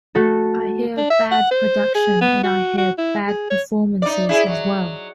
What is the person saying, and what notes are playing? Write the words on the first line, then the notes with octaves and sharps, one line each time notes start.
I hear bad production and I hear bad performances as well.
A3 F#4 A4
D4
E5
F#5
C5
G#4
B3
F#4
F#4
E4
G#4
C#5
D#4 D5
E4 G#4
F#3